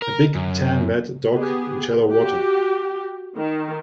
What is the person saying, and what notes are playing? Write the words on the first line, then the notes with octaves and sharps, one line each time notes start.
A big tan wet dog in shallow water.
A#4
F#2
B3 G4 G#4
F#4 G4
D#3